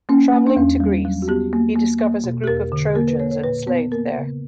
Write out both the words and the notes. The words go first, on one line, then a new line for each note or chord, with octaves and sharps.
Travelling to Greece, he discovers a group of Trojans enslaved there.
A#3 C#4
A#3
D4
E2 C#4
G3
F#3
F#4
B3 G4
A#3
A#3
A#3
B2
G4
E2 A#4
D3
A#3 A#4
B4
A#3 C#5
C#5
A#2 B4
B3
A#3 A#4
C#3